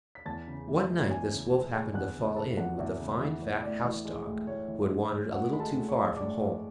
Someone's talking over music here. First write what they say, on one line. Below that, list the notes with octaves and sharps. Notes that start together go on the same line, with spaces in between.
One night this Wolf happened to fall in with a fine fat House Dog who had wandered a little too far from home.
B6
E2 A5 A6
C#3
E3
G#3
E2 G#5 G#6
C#3
E3
G#3
E2 F#5 F#6
C#3
E3 A4 A5
E2 F#4 F#5
E2 E4 E5
C#3
E3
E2
A2 D5
E3
G#3
A2
A2 C#5
E3
G#3
A2
A2 F#4 F#5
G#3 B5
A4 A5
A2
C#5 C#6
G#3
A2 D5 D6
G#3